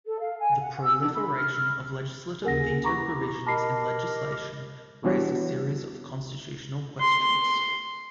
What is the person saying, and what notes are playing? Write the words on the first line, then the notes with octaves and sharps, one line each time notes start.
The proliferation of legislative veto provisions in legislation raised a series of constitutional questions.
A4
F5
G#5
F#5
E6
D4
B5
F6
D#2 C#3 C#4 A#4 F#5 A#6
E4 G4 A#5 C#6 A#6
G4 A#4 D#5 A5 B5 C7
E3 G3 B3 D4 F#4 C#5
C6